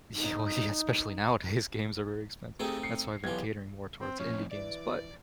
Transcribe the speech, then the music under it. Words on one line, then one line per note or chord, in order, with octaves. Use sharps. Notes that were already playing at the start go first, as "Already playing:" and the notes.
Y Oh yeah, especially nowadays, games are very expensive. That's why I've been catering more towards indie games, but,
D#4
A3 C4 D#4 G4 G#4
C7 C#7
B1 E3 F3 G4 G#6
C4
F2 A2 C#4
E3 D5